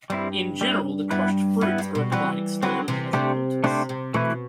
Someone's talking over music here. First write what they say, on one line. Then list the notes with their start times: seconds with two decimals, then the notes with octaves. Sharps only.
In general the crushed fruits are applied externally as a poultice.
0.10 G2 G3 C4 E4
0.61 G3 C4 E4
1.10 G2 B3 E4 B4
1.61 G2 B3 E4 B4
1.78 G2
1.95 B2
2.12 E3 G3 C4 F#4 B4
2.62 D3 F#3 C4 F#4 B4
2.88 C3 E3
3.13 C3 A3 D4 G4 C5
3.64 C3 A3 D4 G4 C5
3.89 C3
4.14 B2 E3 A3 E4 B4